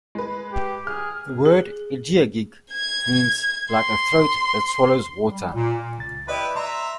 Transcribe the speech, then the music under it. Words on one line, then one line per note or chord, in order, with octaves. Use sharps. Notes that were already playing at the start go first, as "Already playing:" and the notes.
The word Igiugig means, "Like a throat that swallows water".
G#3 B4
G4
G#4 F6
G#4
G#6
C6
G3
A#2
C#2 A6
E4 G4 B4 D5 D#5 B5
E5 A#5 C6